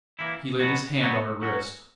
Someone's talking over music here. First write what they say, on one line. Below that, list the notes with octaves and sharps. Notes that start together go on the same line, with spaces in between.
He laid his hand on her wrist.
E3 A#3 E4
B2 F#3 B3 F#4
B2 F#3 B3 F#4
F#3 C#4 F#4